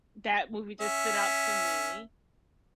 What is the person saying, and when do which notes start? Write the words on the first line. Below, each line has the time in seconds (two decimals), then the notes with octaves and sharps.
that movie just stood out to me
0.81 C#4 E5